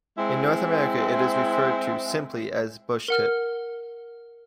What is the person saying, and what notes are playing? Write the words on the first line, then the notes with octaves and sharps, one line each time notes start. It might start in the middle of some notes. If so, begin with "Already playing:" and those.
In North America, it is referred to simply as "bushtit".
G#3 C4 E4
A#4 F#5 F6